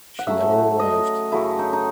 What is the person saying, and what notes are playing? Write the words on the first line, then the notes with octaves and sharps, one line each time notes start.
She never arrived.
F#5
C#3 F#3 A3 E5
D#5
F#2 C#3 F#3 A3 E4
D#4
D#4